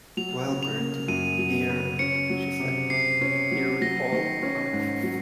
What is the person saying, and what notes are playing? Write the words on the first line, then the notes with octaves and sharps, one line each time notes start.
"Well, Bertie, dear," she said, "here we all are."
F#3 F7
C#3
F7
A#3
F#2 D#7
F#3
C#3
C#4 C#7
F#3
C3
C3 C7
C#4
F#3
F#3 A#6
D#3
C#4
G#2
F#3